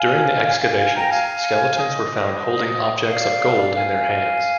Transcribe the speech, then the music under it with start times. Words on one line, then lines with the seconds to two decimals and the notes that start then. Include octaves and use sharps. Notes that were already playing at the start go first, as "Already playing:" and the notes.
During the excavations, skeletons were found holding objects of gold in their hands.
Already playing: F5 G#5
0.45 F5 G#5
0.61 F5 G#5
0.79 F5 G#5
0.95 G5 A#5
1.11 F5 G#5
1.77 C5 D#5
3.09 D5 F5
3.76 F5 G#5